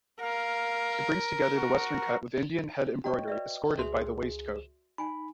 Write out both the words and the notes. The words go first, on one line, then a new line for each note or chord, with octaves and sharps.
It brings together the western cut with Indian hand-embroidery escorted by the Waist coat.
A#4 F5
F#4
F#4 C#5 D#5 G5 C#6
B4 D5 E5
C#2 F#4 G#4 E5 C6
D#4 G#5 B5